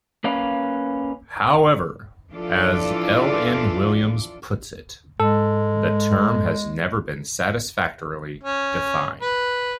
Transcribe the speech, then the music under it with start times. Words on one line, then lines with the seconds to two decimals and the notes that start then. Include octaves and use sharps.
However, as L. N. Williams puts it, "the term has never been satisfactorily defined".
0.24 A#3 C#4 B4 F5
2.31 E3 F3 D4 F4 A4 D5
5.20 G#2 G#3 A4
8.43 C#4
9.22 B4